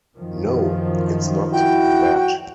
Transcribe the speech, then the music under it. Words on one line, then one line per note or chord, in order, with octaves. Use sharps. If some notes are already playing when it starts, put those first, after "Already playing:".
No - it's not that.
F#2 D#3 F3
E4 F#4 G5